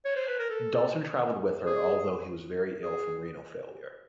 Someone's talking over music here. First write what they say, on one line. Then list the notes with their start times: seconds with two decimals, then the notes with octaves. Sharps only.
Dalton traveled with her, although he was very ill from renal failure.
0.05 C#5
0.16 C5
0.27 B4
0.39 A#4
0.50 A4
1.66 G#4
2.83 G#4